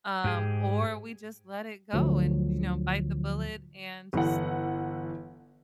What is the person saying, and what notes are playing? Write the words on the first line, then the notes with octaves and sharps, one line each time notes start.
um, or we just let it go and, you know, bite the bullet and just
G#2 G4 G#4
D2 D3 F3 F#3
G1 E3 F#5